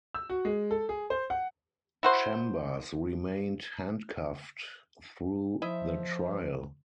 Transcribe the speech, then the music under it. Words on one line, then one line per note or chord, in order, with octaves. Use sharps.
Chambers remained handcuffed through the trial.
E6
F#4
G#3
A4
G#4
C5
F#5
E4 F#4 C5
F3 E4 D#5 E5